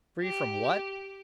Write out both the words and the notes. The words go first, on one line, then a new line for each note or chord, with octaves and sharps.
Free from what?
G4